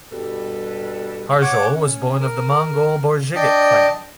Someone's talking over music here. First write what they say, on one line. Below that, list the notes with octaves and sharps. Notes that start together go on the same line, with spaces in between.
Harjol was born of the Mongol Borjigit clan.
G2 B2 G3 A4 B4
C#5 F#5 D6
C#4
A#4
D4 D5 D#5 G5